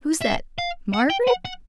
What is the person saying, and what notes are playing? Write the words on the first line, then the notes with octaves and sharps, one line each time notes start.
Who's that,--Margaret?
E5
F5
F#5
G5
F#5
F#5